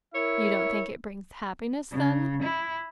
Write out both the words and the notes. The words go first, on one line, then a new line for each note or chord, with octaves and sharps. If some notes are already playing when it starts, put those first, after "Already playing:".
"You don't think it brings happiness, then?"
E4 A#4 C#5 E5
C#3
E4